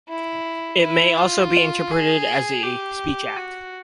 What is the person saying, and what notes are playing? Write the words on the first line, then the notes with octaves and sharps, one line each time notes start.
It may also be interpreted as a speech act.
E4
E4
F4
G#4
G4
F#4